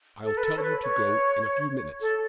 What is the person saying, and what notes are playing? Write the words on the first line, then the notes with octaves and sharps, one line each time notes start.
"I'll tell you to go in a few minutes."
A4
B4
A4
C#5
B4
C#5
A4